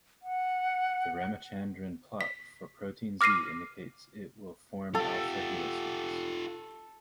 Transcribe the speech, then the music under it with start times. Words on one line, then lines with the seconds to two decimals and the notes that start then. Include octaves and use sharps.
The Ramachandran plot for protein Z indicates it will form alpha helices.
0.22 F#5
2.21 B6
3.21 D6 F6 A#6 C7 D#7
4.95 F4 G4 A4